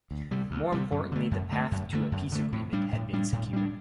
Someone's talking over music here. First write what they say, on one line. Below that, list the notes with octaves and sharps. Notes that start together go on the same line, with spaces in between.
More importantly, the path to a peace agreement had been secured.
D2
C3 G3
D2
C3 G3
F#2
D3 A3
F#2
D3 A3
F#2
D3 A3
F#2
D3 A3
A2
G3 D4
A2
G3 D4
A2
G3 D4